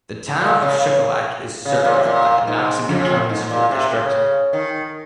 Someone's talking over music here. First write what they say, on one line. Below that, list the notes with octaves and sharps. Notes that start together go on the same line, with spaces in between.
The Town of Shuqualak is served by the Noxubee County School District.
A#2
C#3
C#3
A#2
C3
A#2
G#2
F2
G#2
A#2
C3
C#3
D#3